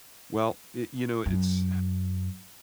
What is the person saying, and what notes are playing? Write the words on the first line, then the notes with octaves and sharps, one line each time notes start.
well, it you know, it's
F#2